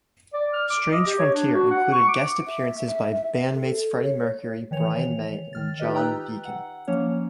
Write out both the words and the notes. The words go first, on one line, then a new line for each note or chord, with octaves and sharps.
"Strange Frontier" included guest appearances by bandmates Freddie Mercury, Brian May and John Deacon.
D5
F6
D6
D#5
G4
C#5
D4
F#4
F#5
C#6
D6
E5
A4
C#5
D#3 E3 C#5 F7
D#3 F6 A6
D#4 F4 G4 B4 D#5
G5 A#5 E6 F#6
F#5
F3 A#3 C#4 C#5